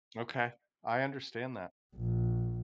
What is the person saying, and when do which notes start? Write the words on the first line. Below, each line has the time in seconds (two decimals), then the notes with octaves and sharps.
Okay. I understand that.
1.95 A#1